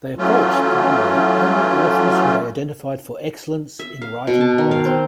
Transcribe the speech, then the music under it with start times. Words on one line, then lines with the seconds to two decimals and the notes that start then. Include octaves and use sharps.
They approached primarily only authors who they identified for excellence in writing quality.
0.18 E3 F#3 A3 C#4 F4
3.79 E5
4.02 F5
4.27 B2
4.41 A5
4.58 D#3
4.71 F5
4.85 C4